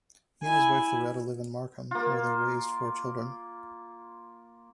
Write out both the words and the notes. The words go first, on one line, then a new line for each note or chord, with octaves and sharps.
He and his wife Loretta live in Markham where they raised four children.
E4 G#5
A#3 F4